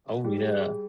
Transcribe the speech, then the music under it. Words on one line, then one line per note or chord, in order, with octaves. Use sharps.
Oh, yeah.
G3 G#4
G#4
G#4